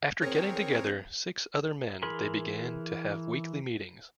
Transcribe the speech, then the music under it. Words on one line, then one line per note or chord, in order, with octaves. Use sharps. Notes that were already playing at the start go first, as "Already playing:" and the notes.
After getting together six other men they began to have weekly meetings.
E2 C4 G#4 A#4 C#5
E3 G#4 A#4 B5 C6